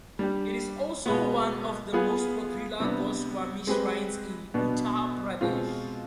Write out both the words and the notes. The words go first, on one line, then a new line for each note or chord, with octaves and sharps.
It is also one of the most popular Goswami shrines in Uttar Pradesh.
G3 D4 G4
B2 G#3 B3
B3 F4 G#4 B4
C3 G3 B3 D4
G#3 C4 G4 B4
B2 B3 D4
B2 G#3 C4 F4